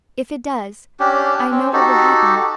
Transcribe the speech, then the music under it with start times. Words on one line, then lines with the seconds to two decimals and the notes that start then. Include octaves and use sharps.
If it does, I know what will happen.
1.00 C#4 D4 G4
1.51 C4 C#4
1.73 D#4 F#4 G4 A4